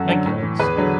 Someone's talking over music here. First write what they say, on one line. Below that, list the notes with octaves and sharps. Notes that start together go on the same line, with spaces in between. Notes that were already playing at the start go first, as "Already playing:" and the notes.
I guess.
Already playing: F#2 F#4 A4
D3 F#3
A2
E3
E2 G#4 B4
D3 F#3